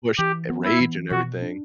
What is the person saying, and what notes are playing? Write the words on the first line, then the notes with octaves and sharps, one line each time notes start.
push, uh, rage and everything.
E3 G4
B3
E4
E3
B2 F#4
D4